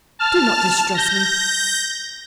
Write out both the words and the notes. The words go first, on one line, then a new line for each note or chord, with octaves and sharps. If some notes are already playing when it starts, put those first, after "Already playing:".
Do not distress me.
A5 F6
G6 A#6